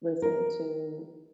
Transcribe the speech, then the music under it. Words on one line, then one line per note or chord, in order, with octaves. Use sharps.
listening to,
A#4